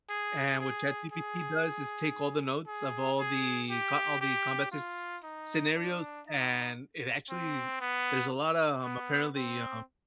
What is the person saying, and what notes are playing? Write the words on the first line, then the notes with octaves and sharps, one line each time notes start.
and, what ChatGPT does is take all the notes of all the co all the combat scenarios and, it actually there's a lotta, um, apparently, um
G#4
G#4
G#4
G#4
G#4
G4
G4
F4
D#4
D4
D#4
C4
B3
B3
C4